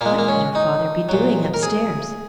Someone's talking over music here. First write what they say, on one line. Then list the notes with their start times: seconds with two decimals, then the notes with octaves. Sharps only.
What could her father be doing up-stairs?
0.01 A#2 A#3
0.05 G#3
0.18 A#3
0.28 C#4
0.55 D#4
1.09 A#2 F#3
1.54 A#4
1.63 G#4